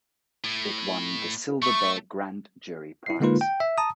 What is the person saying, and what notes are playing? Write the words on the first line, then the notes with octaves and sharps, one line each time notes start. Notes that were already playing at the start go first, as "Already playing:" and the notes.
It won the Silver Bear Grand Jury Prize.
A2
A3 C#6
E4 C7
D3 G#3 A#3 D#4 F4 B4
G5
E5
A5 A#5 D#6